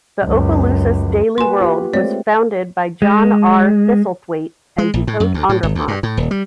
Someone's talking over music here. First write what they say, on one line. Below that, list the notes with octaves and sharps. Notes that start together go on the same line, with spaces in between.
The Opelousas Daily World was founded by John R. Thistlethwaite and Ducote Andrepont.
C#2 F#2
A#3 F#4 B4 G#5 C6
F4 G4
G#3 A3 C4 C#5 D5
G#3
G#3
A#1
A2
F#2
D2
A2
G#1
D2
G2
A2
D#1
G3